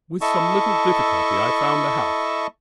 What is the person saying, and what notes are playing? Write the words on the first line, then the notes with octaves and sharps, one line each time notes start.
With some little difficulty I found the house.
E4 A4 D#5 E5 A5 C#6